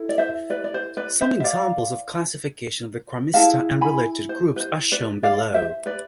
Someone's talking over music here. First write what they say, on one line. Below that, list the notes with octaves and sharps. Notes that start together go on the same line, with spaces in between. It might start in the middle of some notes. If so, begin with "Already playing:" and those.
Some examples of classification of the Chromista and related groups are shown below.
Already playing: E4 A4
D5
C5 E5
B4 D5
D5
C5
B4 D5
C5 E5
E5
D5 F5
E4 G#4 B4 F5 A5
G#5 B5
C5
B4
C5
B4 D5
D5 F5
C5 E5
B4 D5